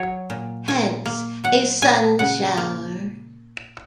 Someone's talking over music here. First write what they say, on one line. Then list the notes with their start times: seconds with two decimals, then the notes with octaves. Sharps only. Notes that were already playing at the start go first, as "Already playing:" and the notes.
Hence, a sunshower.
Already playing: F#3 C#5
0.30 A#2
0.68 A#2 G#5
1.06 A#3
1.44 F#3 F#5
1.82 A#2 G#5
2.19 C#3 F#5
2.57 A#3